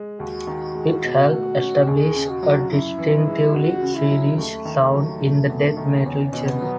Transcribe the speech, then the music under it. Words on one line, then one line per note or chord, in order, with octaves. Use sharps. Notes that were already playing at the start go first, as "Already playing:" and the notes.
It helped establish a distinctively Swedish sound in the death metal genre.
Already playing: G#3
D#2 F#4
D#3
G#3
B2
A3
C#4
D#2 G#4
C#3
F#4
F#3
F#2 E4
E3
G#3
C#2 F#4
C#3
E4
F#3
D#2 A3
D#3
A3
F#3
E1
E2
D#3
E2 C#4
B2
B3
F#3